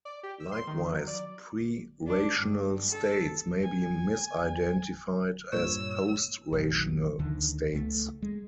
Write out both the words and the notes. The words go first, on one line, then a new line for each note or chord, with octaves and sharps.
Likewise, pre-rational states may be misidentified as post-rational states.
D5
G4
E6
C6
D#3
F#3
D5
D4
G2
A4
G#5
G2 A#2 C#5 E6
F1 A#1 D#3 F#3
D2 D3 D#3
C#2 A3
G#3